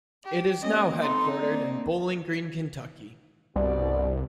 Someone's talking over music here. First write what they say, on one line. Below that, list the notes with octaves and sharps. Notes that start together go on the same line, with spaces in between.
It is now headquartered in Bowling Green, Kentucky.
G4
A#3 B3 C#4 D#5
B3 C4 D#4 A4 C6
A#3 C4 D4 D5
C2 G2 B2 D5